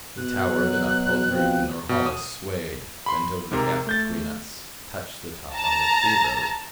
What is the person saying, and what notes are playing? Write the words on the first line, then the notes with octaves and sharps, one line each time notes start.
The tower that upheld Ruth and Norhala swayed, bent over the gap between us, touched the top on which we rode.
B2 F#6
F#3
F3 C4
B2
D#6
B5 C6
G#2 C3 A#4
A3 G6 A6
A5 A#5